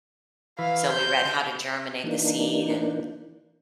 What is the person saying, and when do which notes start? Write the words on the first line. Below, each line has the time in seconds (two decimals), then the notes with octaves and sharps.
So, we read how to germinate the seed and
0.59 E3 B4 F5
0.93 C5 G6
2.04 E3 A#3 D4 D#4